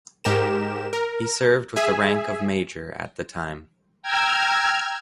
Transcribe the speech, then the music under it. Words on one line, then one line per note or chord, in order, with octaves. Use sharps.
He served with the rank of Major at the time.
G#2 G4 A#4 E7
A#4
G#4 E5 G#5
G5 A#5 E6 F6 G#6